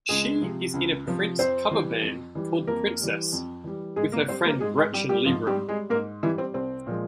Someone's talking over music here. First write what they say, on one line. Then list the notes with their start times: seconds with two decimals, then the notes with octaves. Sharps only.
She is in a Prince cover band called Princess with her friend Gretchen Lieberum.
0.09 C#2 G#3 G#4
0.41 C3 F3
0.74 C#2
1.06 C3 F3
1.38 F2 C4 C5
1.71 E3 G3
2.02 F2
2.35 E3 G3
2.67 F2 A#3 A#4
3.00 E3 G3
3.33 F2
3.64 E3 G3
3.96 G#2 G#3 G#4
4.12 A#3 A#4
4.28 G3 C4 C5
4.45 A#3 A#4
4.60 G#2 G#3 G#4
4.78 G#3 G#4
4.93 G3 G4
5.09 G3 G4
5.25 G#2 F3 F4
5.47 G3 G4
5.58 G3
5.68 G#3 G#4
5.89 G#2 A#3 A#4
6.23 E3 G3 E4
6.38 C4
6.54 C2 C4
6.86 A#2 F3 G#3